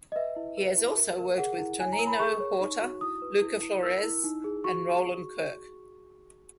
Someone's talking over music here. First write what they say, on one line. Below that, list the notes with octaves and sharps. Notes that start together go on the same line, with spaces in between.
He has also worked with Toninho Horta, Luca Flores and Roland Kirk.
D#5
B4 E5
E4
B4
E4
A#4
A#4
G#4 F#5
E4
C#5 G#5
A#5
A#4
B5
G#4 C#6
C#5
D#4
F#4
E4 D#6
B4
E4
E4
A#4 E6
E4
D#4
G#4
F#4 C#6